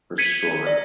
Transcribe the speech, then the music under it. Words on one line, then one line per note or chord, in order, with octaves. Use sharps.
For sure.
G#6 B6 C#7 D#7
D5